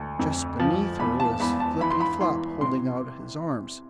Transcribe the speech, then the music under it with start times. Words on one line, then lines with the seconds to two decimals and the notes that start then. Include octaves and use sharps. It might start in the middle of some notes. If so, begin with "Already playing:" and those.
Just beneath her was Flippityflop, holding out his arms.
Already playing: D2 A5
0.19 F2
0.59 F3
0.99 E2 B5
1.20 A5
1.40 E2 B5
1.60 A5
1.80 E3 B5
1.90 C6
2.00 B5
2.21 E3 C6
2.61 C3 C6